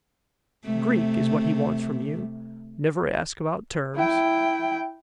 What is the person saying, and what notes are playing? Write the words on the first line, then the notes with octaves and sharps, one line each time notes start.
Greek is what he wants from you;--never ask about terms.
C3 A3
E4 G5